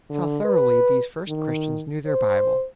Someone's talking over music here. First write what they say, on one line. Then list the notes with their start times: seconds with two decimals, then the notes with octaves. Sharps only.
How thoroughly these first Christians knew their Bible!
0.10 D3
0.45 B4
1.28 D#3
2.06 C5